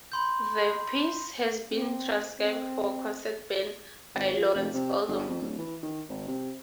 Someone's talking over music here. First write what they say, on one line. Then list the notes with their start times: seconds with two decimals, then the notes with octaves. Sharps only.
The piece has been transcribed for concert band by Lawrence Odom.
0.12 B5 C6 G6
1.71 C4
2.40 C4
4.15 G#1
4.37 F3
4.55 F1
4.74 C3
5.08 G1
5.28 F2
5.42 D1
5.58 E3
5.83 D#3
6.08 G#1
6.28 C3